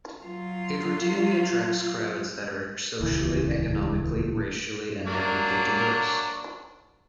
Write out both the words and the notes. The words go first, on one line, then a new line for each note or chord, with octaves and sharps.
It routinely attracts crowds that are socially, economically, racially, and ethnically diverse.
F#3 F4
D#1 C#2 E3
F#3 A#3 D4